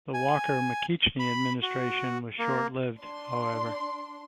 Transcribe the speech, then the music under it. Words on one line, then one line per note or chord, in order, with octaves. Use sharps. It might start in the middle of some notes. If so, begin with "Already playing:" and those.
The Walker-McKeachnie administration was short lived, however.
G#5
B5
F#4
A#3
D4 C6